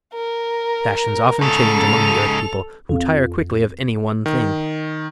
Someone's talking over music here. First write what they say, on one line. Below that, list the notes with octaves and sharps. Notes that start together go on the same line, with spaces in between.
Fashions often change among the earth people, who tire quickly of any one thing.
A#4
G#2 C#3 A4 F7
F2
D#3